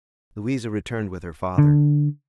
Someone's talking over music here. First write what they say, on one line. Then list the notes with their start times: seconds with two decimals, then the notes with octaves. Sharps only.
Louisa returned with her father.
1.58 D3